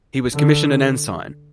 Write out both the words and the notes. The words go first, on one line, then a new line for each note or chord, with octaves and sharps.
He was commissioned an ensign.
D3